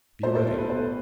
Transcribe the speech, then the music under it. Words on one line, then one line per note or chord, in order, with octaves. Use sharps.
Be ready.
A2 A4 C5
A4 C5
B3 A4
B4
B1 A4 C5